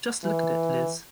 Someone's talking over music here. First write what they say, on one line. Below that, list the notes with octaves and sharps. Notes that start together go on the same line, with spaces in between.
Just look at it, Liz.
E3